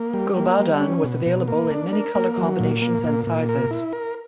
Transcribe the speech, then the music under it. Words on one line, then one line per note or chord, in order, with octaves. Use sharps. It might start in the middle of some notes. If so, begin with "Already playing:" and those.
Gulbadan was available in many color combinations and sizes.
Already playing: A#3
G3
A#3
G3
C#4
B2
B2
A#3
D4
A#4
A#3
F#3
A#2
A#3
A#2
A#2
A#4
E4
A#4